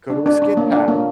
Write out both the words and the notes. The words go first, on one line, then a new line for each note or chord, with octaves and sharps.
go to a skid pad.
D4
D4
D4
A#3
D4
A#3